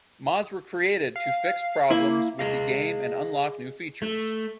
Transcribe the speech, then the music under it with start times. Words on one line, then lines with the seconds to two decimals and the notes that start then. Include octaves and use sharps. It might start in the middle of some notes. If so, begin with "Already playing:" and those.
Mods were created to fix problems with the game and unlock new features.
1.16 F5
1.90 A#3 E4
2.39 G#4 D#5 F5
4.02 A3